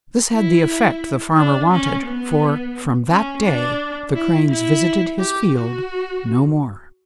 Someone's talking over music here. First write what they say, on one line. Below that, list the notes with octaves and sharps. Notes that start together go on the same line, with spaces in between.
This had the effect the Farmer wanted, for from that day the Cranes visited his field no more.
E4
D4
C#4
B3
C#4
D4
E4
E4
G4
F#4